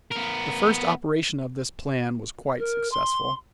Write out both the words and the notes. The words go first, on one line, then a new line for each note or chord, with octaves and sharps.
The first operation of this plan was quite successful.
B3 A#4
A#4
C6